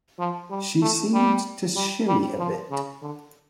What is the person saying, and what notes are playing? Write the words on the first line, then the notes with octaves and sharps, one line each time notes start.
She seemed to shimmy a bit.
F3
G3
A3
G3
G3
G3
F3
C#3
D3